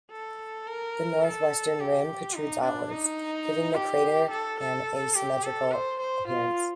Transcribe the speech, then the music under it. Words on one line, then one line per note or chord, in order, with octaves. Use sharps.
The northwestern rim protrudes outwards, giving the crater an asymmetrical appearance.
A4
A#4
A4
G4
D#4
D4
D#4
G4
A4
A4
G4
A4
C5
C5
F4